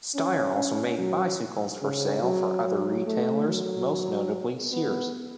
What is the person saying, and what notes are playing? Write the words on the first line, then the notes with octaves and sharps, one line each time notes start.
Steyr also made bicycles for sale for other retailers, most notably Sears.
C#4
C#4
F#3
C#3
F#3
F#3
A3
F#3
B3